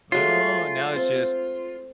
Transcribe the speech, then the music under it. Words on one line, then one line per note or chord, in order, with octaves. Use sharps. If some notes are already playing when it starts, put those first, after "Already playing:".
Oh, and now it's just
F#3 G#3 A3 F4
C4